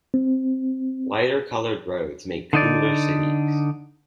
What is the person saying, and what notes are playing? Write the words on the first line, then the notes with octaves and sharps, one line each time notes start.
Lighter coloured roads make cooler cities.
C4
D3 D#4 D5